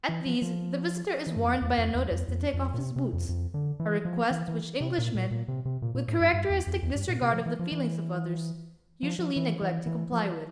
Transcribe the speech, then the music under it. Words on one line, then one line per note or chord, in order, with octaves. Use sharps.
At these the visitor is warned by a notice to take off his boots, a request which Englishmen, with characteristic disregard of the feelings of others, usually neglect to comply with.
E3
F3
F3
E3
G2
F2
E2
F2
E2
F2
F2
F2
A#2
C3
C3
F2
F2
D3
E3
F3
E3
E3
C3
A#2
A#2
A#2
C3
C3
A#2
A#2
A2
G2
G2
E2
F2
E2
G2
A#2
C3
F3
E3
F3
E3
F3
F3
E3
E3
E3
F3